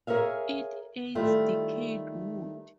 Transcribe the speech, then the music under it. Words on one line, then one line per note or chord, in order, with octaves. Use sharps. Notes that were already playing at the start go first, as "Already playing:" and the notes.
It eats decayed wood.
G#4 A#4 C#5 E5 F5
D#3 G3 A3 E4 F4